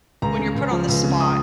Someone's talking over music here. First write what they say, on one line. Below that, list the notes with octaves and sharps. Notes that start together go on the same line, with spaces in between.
When you're put on the spot
C#2 A#5
C#3
C#2
F3
C#2
C#3
D#6